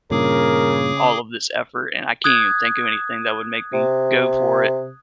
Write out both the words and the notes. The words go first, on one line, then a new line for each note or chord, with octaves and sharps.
all of this effort, and I can't even think of anything that would make me go for it.
G2 A#2 C#3 G#4 A#4 D6
D#6 F#6 G#6
C3